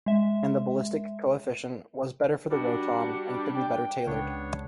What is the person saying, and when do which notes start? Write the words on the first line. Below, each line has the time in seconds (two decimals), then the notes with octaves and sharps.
And the ballistic coefficient was better for the Roton and could be better tailored.
0.06 G#3 E5
2.50 G3 D4 F#4
3.54 G5
4.07 C#2 B3 D4 C#5